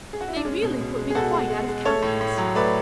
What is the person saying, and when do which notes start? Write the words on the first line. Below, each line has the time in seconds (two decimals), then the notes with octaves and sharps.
They really put me quite out of countenance.
0.13 G#4
0.21 F#4
0.28 E4
0.36 D4
0.45 G#3 C#4
0.62 B2
0.80 B2
0.98 G#3
1.10 G#4
1.15 B2 F#4 A4
1.32 G#3
1.50 G#3
1.68 G#3
1.85 A3 A4 C#5
2.02 A2
2.21 A2
2.38 F#3
2.55 A3 B4 D5